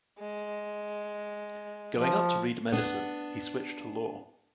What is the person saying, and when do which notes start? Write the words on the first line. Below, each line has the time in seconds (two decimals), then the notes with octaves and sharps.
Going up to read medicine, he switched to law.
0.18 G#3
1.96 F3
2.72 B3 D4